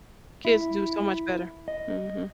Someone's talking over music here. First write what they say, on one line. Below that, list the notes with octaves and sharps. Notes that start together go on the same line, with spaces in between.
Kids do so much better. Mhm.
E4
D#5